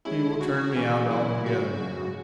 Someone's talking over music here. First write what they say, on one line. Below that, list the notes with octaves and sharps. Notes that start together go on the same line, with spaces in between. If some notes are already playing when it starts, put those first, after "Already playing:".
He will turn me out altogether now.
G#3 C#4 E4
F#4
E3
C#3
F#3
E3 E4
C#3 F#3 F#4